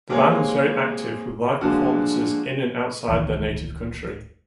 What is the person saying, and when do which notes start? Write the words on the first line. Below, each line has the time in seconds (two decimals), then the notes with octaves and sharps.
The band was very active with live performances in and outside their native country.
0.09 G#3 A#3 C4 G4 G#4 C#5
1.61 D3 F3 G#3 A#3 F#4
3.08 E1 C#2 D#3 E3